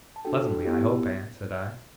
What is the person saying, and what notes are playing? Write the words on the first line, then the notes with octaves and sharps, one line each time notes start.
'Pleasantly, I hope, aunt?' said I.
A5
D4 F#4 A4 G5
B3 E4 G4